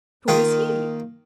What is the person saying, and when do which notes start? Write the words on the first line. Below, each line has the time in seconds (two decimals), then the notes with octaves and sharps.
"Who is he?"
0.28 D#3 A#3 F4